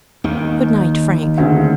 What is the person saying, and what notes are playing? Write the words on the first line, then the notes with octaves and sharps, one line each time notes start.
"Good night, Frank."
D#2 D#3
D2 C#3